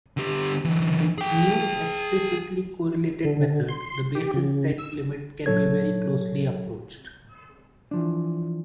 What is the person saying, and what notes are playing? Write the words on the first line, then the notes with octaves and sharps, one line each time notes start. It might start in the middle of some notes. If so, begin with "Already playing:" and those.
With new explicitly correlated methods the basis set limit can be very closely approached.
D3 G4
D3 E3
G#4 G5
D3
C6
G4
C#3
E6
A#2 F#3 A4 C#5 G#6
E3 F3 D4